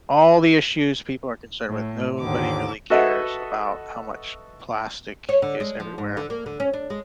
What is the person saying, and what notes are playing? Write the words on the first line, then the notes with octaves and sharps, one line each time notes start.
all the issues people are concerned with, nobody really cares about how much plastic is everywhere,
A2
D#2 G#2 D3 D#3 D6
F#4 A4 B4 D#5 E5 F#5
C#5
D3
G#3
F3
G#2
D3
A#3
D3
C#4
D4
G#3